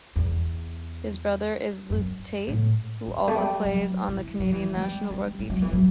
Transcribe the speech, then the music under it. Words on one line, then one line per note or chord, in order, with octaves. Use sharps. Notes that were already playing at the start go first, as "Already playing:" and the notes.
His brother is Luke Tait, who also plays on the Canadian national rugby team.
E2
F#2
A2
G3
A3
G3
F#3
E3
F#3
E3
A3
G3
G3
G3
F#3
E3
F#3